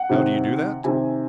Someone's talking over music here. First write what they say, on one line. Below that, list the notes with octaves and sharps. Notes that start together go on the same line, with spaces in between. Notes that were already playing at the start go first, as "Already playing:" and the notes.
"How do you do that?"
Already playing: F#5
C3 D#3
C3 D#3 G#5